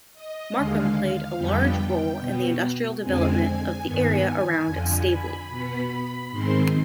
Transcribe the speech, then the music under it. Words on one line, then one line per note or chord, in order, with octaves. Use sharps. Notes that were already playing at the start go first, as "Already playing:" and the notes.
Markham played a large role in the industrial development of the area around Staveley.
D#5
D#2 D3 G#3 F5
F2 D3 G3 B3 G5
B2 B3
F2 D3 G#3 C4 G#5
G2 D#3 B3 G#5
F2 D3 F3
B5
B2 B3
B5
G#2 D#3 G#3 C4 C6